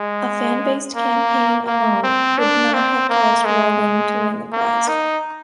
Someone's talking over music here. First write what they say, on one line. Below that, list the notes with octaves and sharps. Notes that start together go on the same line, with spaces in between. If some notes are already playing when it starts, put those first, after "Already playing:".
A fan-based campaign alone would not have caused Rowling to win the prize.
Already playing: G#3
A#3
A#3
C4
D4
C4
A#3
G#3
A#3
D#4